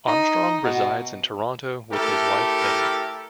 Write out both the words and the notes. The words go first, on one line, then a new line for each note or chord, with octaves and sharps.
Armstrong resides in Toronto with his wife Betty.
D#4
B2
A3 E4 G4 A4 A#4